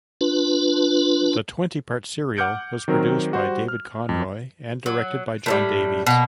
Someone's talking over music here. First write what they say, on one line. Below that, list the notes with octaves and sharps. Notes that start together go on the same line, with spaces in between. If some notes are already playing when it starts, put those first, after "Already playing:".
The twenty-part serial was produced by David Conroy and directed by John Davies.
D4 F4 B4
F#5 D6 F6 G6 C#7 D7
D#3 F#3 C4 A#4
G3 F#4 C5
F6
F2
F#3
A2 E3 G3
B2 A#3